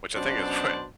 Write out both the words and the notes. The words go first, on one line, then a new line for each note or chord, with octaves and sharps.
Which I think is what
F#2 B2 D4 C5